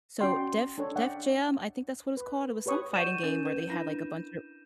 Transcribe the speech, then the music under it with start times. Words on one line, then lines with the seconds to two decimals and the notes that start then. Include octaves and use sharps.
So Def Def Jam, I think that's what it's called, it was some fighting game where they had like a bunch of
0.21 C#4 F#4 D5 G5 C6
0.78 D4 A4 C#5
0.96 C#5 D5 E5 F#5 G5
2.17 B4
2.66 G4 B4 C#5 C#6 D#6
2.94 D5 F#5 C#6 G6 D#7 E7
3.23 C#4 A#4
3.45 B4
3.70 D4 E4